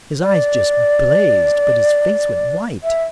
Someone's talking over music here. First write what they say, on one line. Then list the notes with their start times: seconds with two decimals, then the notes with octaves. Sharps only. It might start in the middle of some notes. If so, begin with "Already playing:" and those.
His eyes just blazed, but his face went white.
0.22 D5
2.84 E5